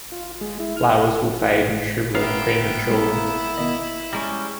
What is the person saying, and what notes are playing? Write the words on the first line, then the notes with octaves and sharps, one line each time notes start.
Flowers will fade and shrivel prematurely.
F4
G#3
E4
F6
A#3 B3 C#4 B4 E5 F5 G5
G#3 C4 E4
B2 D#3 D#5
G3 G#3 C#4 A#5